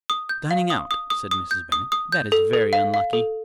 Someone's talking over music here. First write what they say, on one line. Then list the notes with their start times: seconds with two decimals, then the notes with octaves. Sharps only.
"Dining out," said Mrs. Bennet, "that is very unlucky."
0.10 D#6
0.29 G6
0.51 F5
0.70 D#6
0.91 D#6
1.10 D#6
1.31 D#6
1.51 G6
1.72 D#6
1.92 D#6
2.12 G6
2.32 A4
2.53 A4
2.73 F5
2.94 F5
3.13 A4